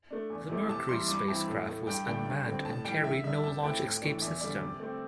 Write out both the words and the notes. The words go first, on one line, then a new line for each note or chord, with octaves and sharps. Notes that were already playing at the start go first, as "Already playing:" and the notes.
The Mercury spacecraft was unmanned and carried no launch escape system.
A3 D4
E2
C3 A3 E4
C3 A5
E3 G3 E4 C6
G2 D6
E3 C4 E4 A5
A2
A3 E4
G2 G5
D3 A3 D4 G5
G2
D3 C4
A2 A5
E3 G3 G5
D3 E5
G3 D4 E5
C3 A5
A3 C4 E4 G5
A2
E3 A3 D4
E2 E5
D3 G3 D5
C3
A3 C4